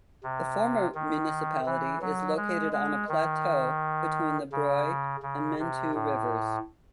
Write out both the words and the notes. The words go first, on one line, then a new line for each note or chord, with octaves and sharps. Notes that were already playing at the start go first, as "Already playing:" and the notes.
The former municipality is located on a plateau between the Broye and Mentue rivers.
C3
D#3
E3
F#3
G#3
G#3
D#3
C#3
C#3
C3
A2